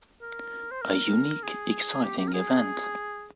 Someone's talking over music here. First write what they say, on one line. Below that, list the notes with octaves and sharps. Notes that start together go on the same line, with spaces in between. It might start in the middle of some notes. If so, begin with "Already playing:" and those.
A unique, exciting event.
A#4
C5
A#4
G#4
G4
G4
A#4
G#4